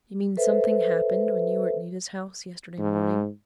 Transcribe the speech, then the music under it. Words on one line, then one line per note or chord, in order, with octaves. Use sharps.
"You mean something happened when you were at Nita's house yesterday morning?"
A4 B4 C5 E5
G#2